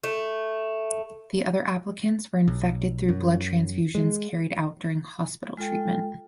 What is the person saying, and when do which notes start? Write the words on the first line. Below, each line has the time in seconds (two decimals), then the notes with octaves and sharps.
The other applicants were infected through blood transfusions carried out during hospital treatment.
0.04 A3
2.48 B1
3.09 F#2
3.95 G#3
5.57 G#3 F4 A4 G5